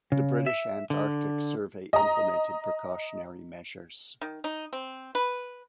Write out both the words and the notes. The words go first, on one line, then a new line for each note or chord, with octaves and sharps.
The British Antarctic Survey implemented precautionary measures.
C#3
E5
D3
D#5 A#5
D#3
D#4
C4
B4